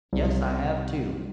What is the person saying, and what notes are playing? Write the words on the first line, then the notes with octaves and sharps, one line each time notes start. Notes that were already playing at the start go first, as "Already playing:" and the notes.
Yes, I have, too!
C2